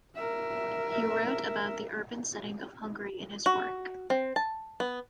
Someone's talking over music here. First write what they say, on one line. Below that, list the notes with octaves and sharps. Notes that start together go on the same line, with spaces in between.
He wrote about the urban setting of Hungary in his work.
A#4 E5
F#4
C4
A5
B3